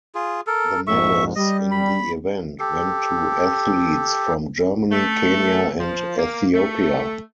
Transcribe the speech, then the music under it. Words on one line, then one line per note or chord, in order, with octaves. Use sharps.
The medals in the event went to athletes from Germany, Kenya, and Ethiopia.
F4 G#4
A4 A#4
A#1 F2 G#2 E5 C#6
G3 D#5
B5
G4 A4
A3
F3
A#3
A3